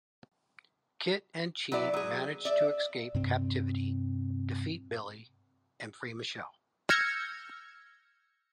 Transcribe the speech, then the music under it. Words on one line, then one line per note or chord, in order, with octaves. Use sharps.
Kit and Chi manage to escape captivity, defeat Billy, and free Michelle.
F#3 B3 E4 D5
F#3 G#4
D5 E5
G2 C3 C4
E6 F6 G6 G#6 A#6 C#7